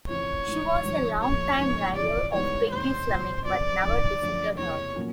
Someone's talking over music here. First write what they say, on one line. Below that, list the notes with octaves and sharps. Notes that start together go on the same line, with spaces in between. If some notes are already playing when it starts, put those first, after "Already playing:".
She was a long-time rival of Peggy Fleming, but never defeated her.
F2 C#3 E3 A3 C4 C#5
A1 G#2 E3
G#1 G2 D3 F3
A#2 F3 A3 C#5
G#2 F3 A#3 C#4
G1 F2 C3 E3 D5
G#2 E3 G3 B3 D#4 C#5
E1 D2 C3 D#3 C5
C#2 B2 G#3
F2 C#3 F3 D5
G1 F#2 D#3
F#2 D3 F3 A3 D4
F#1 E2 C3 C#5
A#2 F#3 A#3 C#4 F4